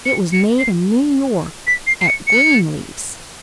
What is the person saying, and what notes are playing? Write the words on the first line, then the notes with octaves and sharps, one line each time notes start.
It was made in New York at Greenleaf's.
C#7
C#7
C7
B6
C7
C7
C#7
C#7